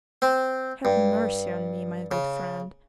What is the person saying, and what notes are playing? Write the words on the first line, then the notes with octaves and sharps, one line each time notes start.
Have mercy on me, my good friend.
C4
G2
C#3